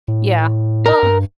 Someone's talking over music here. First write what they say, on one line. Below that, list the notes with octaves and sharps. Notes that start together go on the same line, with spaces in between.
Yeah. Well
A2
A#4
G2